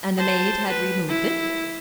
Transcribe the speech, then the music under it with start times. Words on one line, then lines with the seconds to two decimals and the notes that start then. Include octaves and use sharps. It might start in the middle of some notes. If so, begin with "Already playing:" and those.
"And the maid had removed it?"
0.17 C5 A5
0.69 B4
1.09 E4